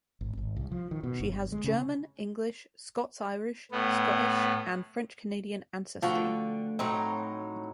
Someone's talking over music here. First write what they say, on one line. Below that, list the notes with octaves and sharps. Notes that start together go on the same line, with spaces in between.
She has German, English, Scots-Irish, Scottish, and French-Canadian ancestry.
G#1
G#1
C2
F3
D#3
B2
G1
G#3
C#3
A2 B3
D3 F3 A3 F#4 G5
A2 F#3 C4 D#4